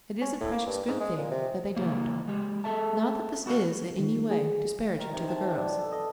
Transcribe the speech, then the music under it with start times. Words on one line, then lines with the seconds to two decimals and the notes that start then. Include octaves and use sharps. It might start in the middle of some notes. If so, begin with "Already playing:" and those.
It is a precious good thing that they don't.--Not that this is in any way disparaging to the girls.
0.21 C#4
0.41 A2
0.53 A#3
0.66 G2
0.87 G#2
1.00 G#3
1.17 A#2
1.31 C3
1.76 C#3 E3 A#3
2.28 G#3 G4
2.64 G#4 A4 E5 A5
3.46 B3 F#4 B4 F5
4.00 D#3
4.31 G#4
4.99 D#3
5.13 C3
5.28 A5
5.48 D4
5.62 B2
5.79 A4
5.92 D#5